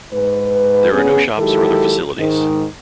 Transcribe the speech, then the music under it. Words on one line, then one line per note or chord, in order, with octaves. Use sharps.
There are no shops or other facilities.
G#2 B4
E2 B3 C#4 G#4
D#3 F#3 G#3 E4 G4 A4
G#2 D#3